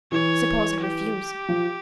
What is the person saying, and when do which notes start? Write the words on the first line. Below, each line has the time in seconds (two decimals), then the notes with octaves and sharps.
"Suppose I refuse?"
0.12 E3 C#5
0.80 G4
1.49 F3